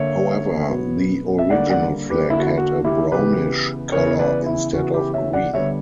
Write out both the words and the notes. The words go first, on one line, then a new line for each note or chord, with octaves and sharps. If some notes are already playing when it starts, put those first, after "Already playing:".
However, the original flag had a brownish colour instead of green.
Already playing: D3 A#3 C#5 E5
B2 F#3 B3
E5
D3 G3 A#3 D5 F#5
D5 F#5
G4 B4
D3 A#3 E4
F#4
E4
F#4
E4 G4
C#3 E3 B3 G4 B4
C#3 E3 B3 A#4 C#5
B4 D5
E4
C#3 E3 B3 F#4
E4 G4
C#5 E5
D5 F#5
D3 G3 B3 C#5 E5